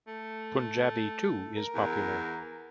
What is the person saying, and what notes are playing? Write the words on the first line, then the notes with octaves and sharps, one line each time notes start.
Punjabi, too is popular.
A3
A#4
E2